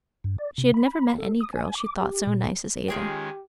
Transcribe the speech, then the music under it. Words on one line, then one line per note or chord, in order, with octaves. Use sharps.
She had never met any girl she thought so nice as Ada.
G2
D5
C3
B5
A4
D#6
G#5
D6
G4
A#2
D#3 G#3 C#4 F4 G4 G#4 G5